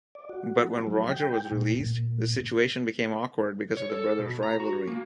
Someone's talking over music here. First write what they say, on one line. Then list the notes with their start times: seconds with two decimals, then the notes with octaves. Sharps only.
But when Roger was released, the situation became awkward because of the brothers' rivalry.
0.15 D5
0.29 F#4
0.87 F#3
1.08 G5
1.52 A#2
1.81 A#2
3.77 C#5
3.90 A4
4.19 B2
4.43 A#5
4.60 F#4
4.87 A#3